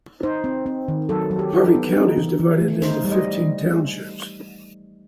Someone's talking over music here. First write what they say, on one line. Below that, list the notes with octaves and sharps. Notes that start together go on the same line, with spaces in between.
Harvey County is divided into fifteen townships.
D#4 C5
C4
C4
D#3
F#3 A4
F#3
G4
D#4
A4
B3
D#4
E3
E3
A3
D#4 C5
G3
D#5